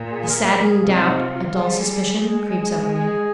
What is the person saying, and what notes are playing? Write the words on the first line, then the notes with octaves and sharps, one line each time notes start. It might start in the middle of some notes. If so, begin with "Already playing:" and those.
A saddening doubt, a dull suspicion, creeps over me.
Already playing: A#2
G#4
G#4
A#4
A#4
G#4
C3 F4
D#4
F4
F4
G3 G#4
G#3
G#4